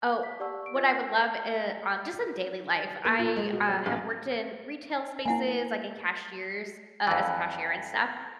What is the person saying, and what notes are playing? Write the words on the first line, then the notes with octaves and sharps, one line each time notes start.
Oh, what I would love in um, just in daily life, I, uh, have worked in retail spaces, like in cashiers uh, as a cashier and stuff,
B6
G4 D5 F#5 A5 C#6 E6
C#6 D7
F4 D#5 E6 A6
A#3
A#2
G#3
B2
F#3
A1
A#3 E4 F#5 G#5
F2 E3